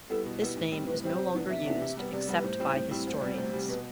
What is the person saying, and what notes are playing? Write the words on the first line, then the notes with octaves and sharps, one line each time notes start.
This name is no longer used except by historians.
G3 B3 E4 A4
B2
G3 B3 E4
A2
G3 C4
A2 B4
G3 C4 C5
C3
E3 B3 D4
C3 E5
E3 B3 D4
C3
G3 B3
C3 D5
G3 B3
B4
A2 C5
G3 C4 E4
A2
G3 C4 E4
D2 C5
C3 G3 D5
D2 C5
C3 G3
B2 B4